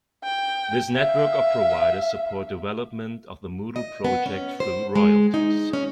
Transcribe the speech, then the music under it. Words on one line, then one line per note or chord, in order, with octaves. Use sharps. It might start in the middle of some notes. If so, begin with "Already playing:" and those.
This network of providers support development of the Moodle project through royalties.
G5
E5 F5
D#5
B3
C#4
C5
G#3
D#4
C#4